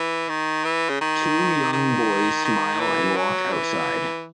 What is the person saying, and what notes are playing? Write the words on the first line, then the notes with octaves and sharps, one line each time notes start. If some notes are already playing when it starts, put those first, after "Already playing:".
Two young boys smile and walk outside.
Already playing: E3
D#3
E3
C#3
D#3
D#3
D#3
E3
F#3
E3